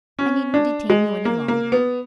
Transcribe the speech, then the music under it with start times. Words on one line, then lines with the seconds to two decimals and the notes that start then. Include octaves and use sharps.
I needn't detain you any longer.
0.19 C#4
0.54 D4
0.90 G#3
1.25 A#3
1.48 A#3
1.72 B3